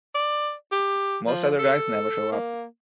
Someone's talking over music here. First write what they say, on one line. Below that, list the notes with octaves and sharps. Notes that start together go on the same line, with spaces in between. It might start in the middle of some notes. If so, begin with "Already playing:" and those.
Most other guys never show up.
D5
G4
F3
A4
A#3